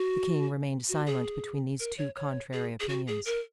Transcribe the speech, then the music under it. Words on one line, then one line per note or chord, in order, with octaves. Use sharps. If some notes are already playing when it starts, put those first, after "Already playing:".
The king remained silent between these two contrary opinions.
Already playing: F#4
F#4
G#4
A#4
C#5
C#5
G#4
G#4
F#4
G#4
A#4